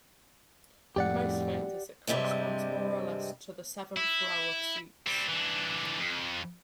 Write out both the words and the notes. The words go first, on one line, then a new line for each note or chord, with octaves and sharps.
In most theaters it corresponds more or less to the seventh row of seats.
F2 A2 G4 D5 F#5
G2 C3 G3 G#3 C4
E4
G3 C4
E3 D4
F2